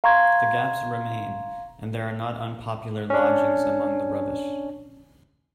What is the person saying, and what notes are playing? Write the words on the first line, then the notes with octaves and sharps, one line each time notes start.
The gaps remain, and there are not unpopular lodgings among the rubbish.
F5 A#5 C6 C#6 G#6
C#4 D4